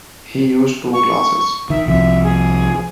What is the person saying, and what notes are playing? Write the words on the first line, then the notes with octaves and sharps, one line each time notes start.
He used two classes.
C#6
D#3 E5
C2 C3 F3 E5
G#4